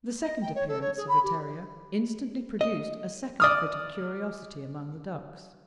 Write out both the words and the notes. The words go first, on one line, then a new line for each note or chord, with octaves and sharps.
The second appearance of the terrier instantly produced a second fit of curiosity among the ducks.
D#5
G5
C#5
A4
C#5
G#4
B5
G4
D#5
D5 D#6 F6